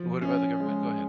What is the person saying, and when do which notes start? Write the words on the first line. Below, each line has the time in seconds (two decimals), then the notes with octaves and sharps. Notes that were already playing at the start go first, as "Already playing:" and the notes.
What about the government? Go ahead.
Already playing: F3
0.22 C#4
0.60 G#3